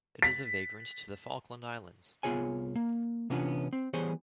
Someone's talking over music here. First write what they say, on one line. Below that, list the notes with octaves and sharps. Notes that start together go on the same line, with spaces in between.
It is a vagrant to the Falkland Islands.
B6
C2 B3 F4 G#4 C#5 G#5
A#3
C3 E3 B3 C#4 D4 F4
C4
E3 G3 B3 G#4 C5 C#5